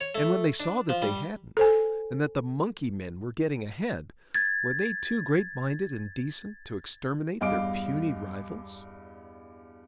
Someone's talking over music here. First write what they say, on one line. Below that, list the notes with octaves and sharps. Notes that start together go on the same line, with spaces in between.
And when they saw that they hadn't, and that the monkey-men were getting ahead, were they too great-minded and decent to exterminate their puny rivals?
C#5
A3
D4
F3
G3
A4 C5 G#5
G#6 A6
E2 G2 D#5 F5 D6 D7